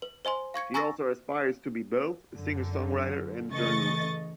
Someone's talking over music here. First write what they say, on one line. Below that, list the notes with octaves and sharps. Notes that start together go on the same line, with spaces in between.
She also aspires to be both a singer-songwriter and a journalist.
B4
C5 D#5 G#5 C6
F5 C#6 G#6 C#7
G#5 A#5 C#6 E6 A6 A#6
F#2 D3
C#3 E3 A3 D#5 C#6 A6